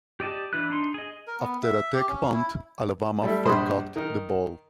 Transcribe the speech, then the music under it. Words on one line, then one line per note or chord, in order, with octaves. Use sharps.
After a Tech punt, Alabama fair-caught the ball.
G4 D5 D#5 A5
E3 D4 E4 B4 F#6
D4 D#4 C6
G#4 D#5
A#4
B3
E5
G4
C#4
E4
G3 A3 E4 A4 E5
A#1 G2 C5 B5 C6 D#6
D#3 D#4 A#4